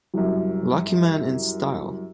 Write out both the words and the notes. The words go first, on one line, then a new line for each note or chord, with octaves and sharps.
Luckyman in style.
C2 F#2